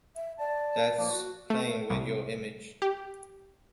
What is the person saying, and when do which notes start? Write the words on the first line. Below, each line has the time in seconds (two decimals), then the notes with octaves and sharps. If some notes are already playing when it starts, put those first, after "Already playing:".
That's playing with your image.
0.16 E5
0.39 D5 A5
0.98 A2 F3 A#3
1.10 F#4
1.50 A3
1.90 C2
2.82 G4